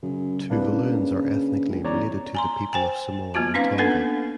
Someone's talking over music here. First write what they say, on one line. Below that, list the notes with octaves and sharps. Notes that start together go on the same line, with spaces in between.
Tuvaluans are ethnically related to the people of Samoa and Tonga.
F#2 C#3
C2 A#3 D4 B4
C#3
C#2
E2 C#5 D5 A#5
G#5 A#5 C6
C5 G5 G#5
F#3 A#3 B3 F4 F#4 A5
C4 C#4 D#4 B4 F5
A#3 B3 D4 A4 B4 F#5